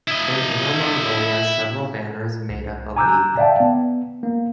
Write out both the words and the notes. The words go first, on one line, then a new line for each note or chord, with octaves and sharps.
In Inner Mongolia, several banners made up a league.
E4 D#5
C2
G#5 A#5 D6 E6 F#6 G6
D5 E5 F5 G5 A5
B3
A#3